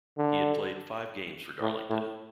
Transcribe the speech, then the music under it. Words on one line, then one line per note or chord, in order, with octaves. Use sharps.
He had played five games for Darlington.
D3
A2
A2